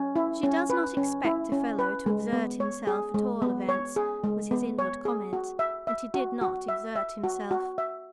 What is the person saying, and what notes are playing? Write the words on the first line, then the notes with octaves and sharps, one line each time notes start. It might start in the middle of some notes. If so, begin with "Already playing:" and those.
"She does not expect a fellow to exert himself, at all events," was his inward comment; and he did not exert himself.
Already playing: C#4
E4
C#4
B4
C#4
E4
C#4
B4
G#3
B3
C#5
G#4
G#3
B3
C#5
G#4
G#3
B3
C#5
G#4
F#4
E5
E5
F#4
F#4
E5
E5
F#4
F#4
E5